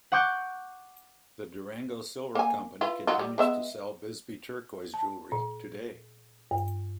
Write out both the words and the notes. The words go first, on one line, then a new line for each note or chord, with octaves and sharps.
The Durango Silver Company continues to sell Bisbee turquoise jewelry today.
F#5 C#6 D6 G6
A#3 G#5
E4 F4 B4
F#3 D#4 F4
G3
G#3 B3 E5
A5
A#2
G2